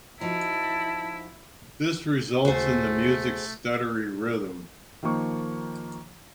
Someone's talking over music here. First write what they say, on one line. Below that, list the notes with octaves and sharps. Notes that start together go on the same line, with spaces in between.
This results in the music's stuttery rhythm.
F3 D#4 E4 F#4 A5
D#2 C#3 A3 F#4 G#4 C5
D#3 F3 A#3 C#6